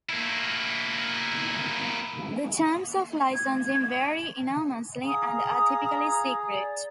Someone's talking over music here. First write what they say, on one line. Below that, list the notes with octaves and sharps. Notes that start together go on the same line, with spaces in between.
The terms of licensing vary enormously, and are typically secret.
A#3 E4
G#6
G#4 F5 A#5 D#6
D5